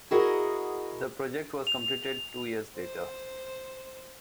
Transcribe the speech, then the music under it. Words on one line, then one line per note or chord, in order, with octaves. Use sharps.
The project was completed two years later.
E4 F#4 G#4 A#4 D#5 F#5
F7
C5